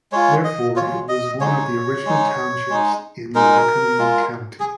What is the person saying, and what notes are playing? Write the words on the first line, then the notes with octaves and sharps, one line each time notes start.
Therefore, it was one of the original townships in Lycoming County.
G#3 F4 C#5
D#5
G#3 F4 C#5
D#5
G#3 D#4 C#5
G#3 D#4
G#3 D#4
G#3 D#4 A#4
G#3 F4
G#4